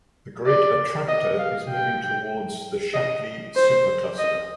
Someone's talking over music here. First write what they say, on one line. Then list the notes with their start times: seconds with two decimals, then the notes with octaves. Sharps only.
The Great Attractor is moving towards the Shapley Supercluster.
0.46 D5
1.09 D#5
1.39 F5
1.70 G5
2.94 D#5
3.56 C5
4.19 D#5